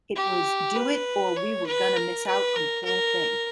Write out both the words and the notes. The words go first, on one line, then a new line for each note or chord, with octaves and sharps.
It was do it or we were gonna miss out on the whole thing.
G4
B4
C#5
B4
A#4
B4
A#4
A#4